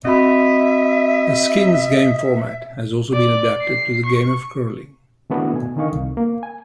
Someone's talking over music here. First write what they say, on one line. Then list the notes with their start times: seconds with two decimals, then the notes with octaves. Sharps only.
A skins game format has also been adapted to the game of curling.
0.05 C4 F#4 D#5 E5 B5
3.13 D5
3.61 C7
4.06 C#6
5.30 D#3 A3 B3 D4 E4 F#4
5.53 B2 G#5
5.76 D3 D#3 D#4 D#5 F5 C#6
5.93 C2
6.17 A#3
6.43 G#5